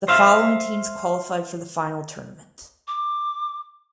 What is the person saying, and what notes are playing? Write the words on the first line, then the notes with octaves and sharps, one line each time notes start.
The following teams qualified for the final tournament.
C5 E5 F5
D6